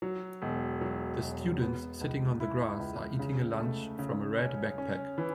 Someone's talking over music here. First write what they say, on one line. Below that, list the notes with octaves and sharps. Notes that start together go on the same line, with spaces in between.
The students sitting on the grass are eating a lunch from a red backpack.
F#3
E1
F#3
E1
B3
C#2
E4
C#2
C#3
A3
C#3
C#4
C#4
E3